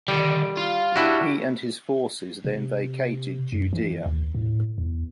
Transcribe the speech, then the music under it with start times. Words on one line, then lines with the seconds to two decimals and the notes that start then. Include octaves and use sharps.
He and his forces then vacated Judea.
0.08 D3 D#3 G3
0.57 F4
0.96 G3 D4 E4 F#4
2.44 C3
3.52 F#2
3.73 E3
4.06 D#2
4.35 A2
4.78 E2